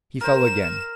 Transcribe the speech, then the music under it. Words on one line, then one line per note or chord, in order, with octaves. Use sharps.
He fell again.
A#4 C5 E7